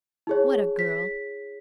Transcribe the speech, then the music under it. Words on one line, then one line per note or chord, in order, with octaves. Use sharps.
What a girl!
E4 G#4 C#5
B6